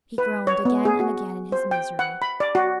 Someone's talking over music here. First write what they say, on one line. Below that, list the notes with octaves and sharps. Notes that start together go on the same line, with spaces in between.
He groaned again and again in his misery.
B4
C#5
B3
G#4
F#4
C5
G5
F#5
B5
D5
F#4